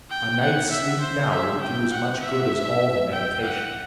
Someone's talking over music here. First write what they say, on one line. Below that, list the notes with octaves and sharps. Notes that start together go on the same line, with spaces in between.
A night's sleep now would do as much good as all the medication.
G5
F#5
E5
C5
E5
G5
F#5
E5
G5
F#5